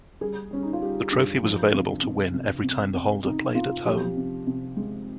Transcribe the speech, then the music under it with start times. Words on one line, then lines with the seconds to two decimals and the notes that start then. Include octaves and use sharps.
The trophy was available to win every time the holder played at home.
0.21 G3 G#4
0.51 G3 C#4
0.63 D#4
0.73 F4
0.82 G3 G4
1.12 G2
1.43 F3
1.73 C3
2.03 C3
2.33 C3
2.64 C3
2.95 C3
3.26 C3 D#4
3.55 C3 F4
3.86 F3 G4
4.17 C3
4.47 C3
4.77 G#3